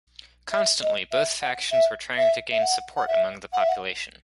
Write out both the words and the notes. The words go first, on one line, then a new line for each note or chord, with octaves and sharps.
Constantly, both factions were trying to gain support among the population.
E5
D#5
E5
F#5
E5
E5
E5
F#5
F#5
E5
F#5
E5
F#5